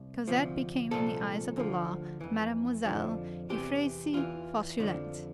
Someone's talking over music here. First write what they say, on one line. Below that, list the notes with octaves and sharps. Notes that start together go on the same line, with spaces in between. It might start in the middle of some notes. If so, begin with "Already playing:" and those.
Cosette became in the eyes of the law, Mademoiselle Euphrasie Fauchelevent.
Already playing: C2
D2 C3 F3
C2 A#2 F3 A4
D2 D3 F3
F2 E3
F2 D3 F3
E2 C3 E3 G4
E2 E3 F4
F2 D3 F3